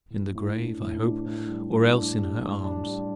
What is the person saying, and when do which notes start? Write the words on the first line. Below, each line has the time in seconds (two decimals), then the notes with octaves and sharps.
In the grave, I hope, or else in her arms.
0.11 A2
0.35 A2
0.57 D4
0.80 A2
1.03 D4
1.26 A2
1.49 G3
1.72 A2
1.95 D4
2.18 G4
2.41 D4
2.64 D4
2.86 G3